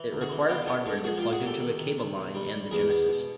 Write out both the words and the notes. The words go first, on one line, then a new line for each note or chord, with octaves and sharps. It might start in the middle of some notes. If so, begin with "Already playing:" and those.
It required hardware that plugged into a cable line and the Genesis.
Already playing: E3
D2
F#4 G#4
E3
B3 F4 G4
B3 G4 A4
G#3 G4 A4
F3 F#4 G#4
A#2 F4 G4
F#4 G#4
A#2
G4 A4
D#3
D#3
D#3
B1
G3
G3
E2 G#4 A#4
B3
B2